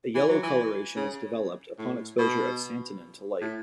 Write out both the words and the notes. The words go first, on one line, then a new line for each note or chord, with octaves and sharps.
A yellow coloration is developed upon exposure of santonin to light.
E3
F#3
E3
C#3
A2
B2
A2